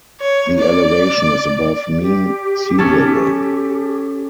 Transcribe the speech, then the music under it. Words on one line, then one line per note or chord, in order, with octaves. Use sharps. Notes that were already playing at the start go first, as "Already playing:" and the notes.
The elevation is above mean sea level.
C#5
D5
G4
C#4 A4